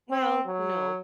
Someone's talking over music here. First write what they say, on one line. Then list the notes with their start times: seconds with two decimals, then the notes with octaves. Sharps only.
Well, no.
0.10 C4
0.47 F#3